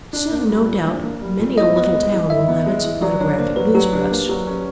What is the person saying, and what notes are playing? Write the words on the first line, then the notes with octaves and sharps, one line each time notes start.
Soon, no doubt, many a little town will have its photographic news-press.
D4
A#3
G3
A#2
D4
A#3
G3
A#2
E4 D#5
B3
G#3
E3
E4 E5
B3
G#3
E3
F#3 D5
D4 C#5
A#3 C5
F#3 B4
F#3 G4
D4
A#3
F#3
C#4